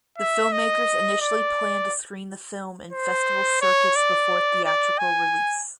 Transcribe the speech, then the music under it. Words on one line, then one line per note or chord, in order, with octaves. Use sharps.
The filmmakers initially planned to screen the film in festival circuits before theatrical release.
E5
D#5
D5
C5
C#5
D5
D5
G#5